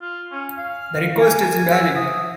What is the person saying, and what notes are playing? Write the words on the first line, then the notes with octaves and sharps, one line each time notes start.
The request is invalid.
F4
C#4
F5
G#5
G#5
E5
D#6